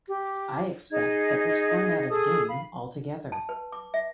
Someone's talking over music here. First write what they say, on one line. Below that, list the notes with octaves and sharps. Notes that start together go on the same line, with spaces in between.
I expect that this format of game altogether.
G4
D#4 G#4 D#5 G#6
G#4 A4 D#6
F5 B5
A5
B4
D6
E5